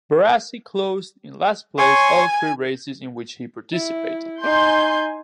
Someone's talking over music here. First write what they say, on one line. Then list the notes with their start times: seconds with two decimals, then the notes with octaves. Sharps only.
Barassi closed in last place all three races in which he participated.
1.78 C#5 G#5 C6 C#6
3.73 E4
4.43 D#4 G#5 C6 G6